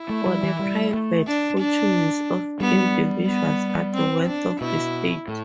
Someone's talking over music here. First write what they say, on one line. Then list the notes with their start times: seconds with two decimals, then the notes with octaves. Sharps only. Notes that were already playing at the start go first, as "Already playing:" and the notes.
For the private fortunes of individuals are the wealth of the state.
Already playing: E4
0.09 A3
0.26 G3
0.43 E3
0.59 G3
0.94 A3
1.27 D4
1.60 D4
2.60 G3 B3
3.27 B3
3.94 C4
4.27 D4
4.61 B2 E4
5.28 A2